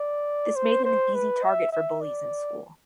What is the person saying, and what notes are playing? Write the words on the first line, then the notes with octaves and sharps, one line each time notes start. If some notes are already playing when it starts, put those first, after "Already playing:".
This made him an easy target for bullies in school.
Already playing: D5
C5
C5
B4
E5
E5
D5